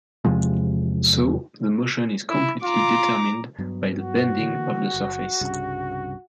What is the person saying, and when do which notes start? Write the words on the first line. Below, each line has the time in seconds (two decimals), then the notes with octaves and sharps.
So, the motion is completely determined by the bending of the surface.
0.25 E2 C3 F3 G#3
2.29 E4
2.64 F4 A#5 D6
3.58 G2 F#3 B3
3.99 F#4
4.39 D3 E3 A#3
4.94 F#1
5.41 C2 G2 C#3